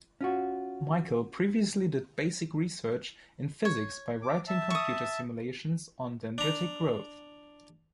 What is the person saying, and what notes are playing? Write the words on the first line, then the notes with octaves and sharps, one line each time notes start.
Michael previously did basic research in physics by writing computer simulations on dendritic growth.
C#4 F4 F#4
C#5
D6
E5 A5
C#6 D#6
D4 A#5